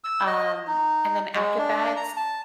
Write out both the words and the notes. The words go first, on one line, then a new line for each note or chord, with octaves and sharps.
Um, and then after that,
E6
D#5
D#4
G#3
D4
A#5
A5